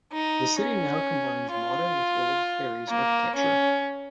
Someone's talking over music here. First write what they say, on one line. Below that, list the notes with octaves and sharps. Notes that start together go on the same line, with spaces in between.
The city now combines modern with old faries architecture.
D#4
C#4
F4
A#3
C#4